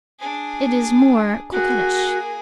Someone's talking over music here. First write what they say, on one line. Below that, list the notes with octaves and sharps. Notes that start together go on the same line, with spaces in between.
It is more coquettish.
D4 G#4
A#3 F#4 G#4